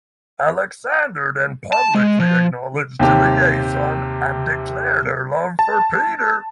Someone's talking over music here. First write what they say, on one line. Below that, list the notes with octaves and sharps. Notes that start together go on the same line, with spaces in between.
Alexander then publicly acknowledged the liaison and declared her love for Peter.
A5
G#3
F3
D#2 C3 G4
A5